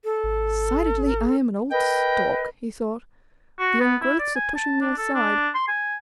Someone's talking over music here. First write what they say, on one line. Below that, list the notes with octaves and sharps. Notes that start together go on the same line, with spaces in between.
"Decidedly I am an old stalk," he thought, "the young growths are pushing me aside."
A4
G#1
A#4 B4 D#5 G5
F#4
B3
E4
D5
G#5
A5
D4
A4
D4
C6
G#5